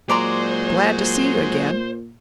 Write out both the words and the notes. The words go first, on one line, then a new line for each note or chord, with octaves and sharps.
"Glad to see you again."
A#2 F#3 G#3 C5 D5 A#5 C6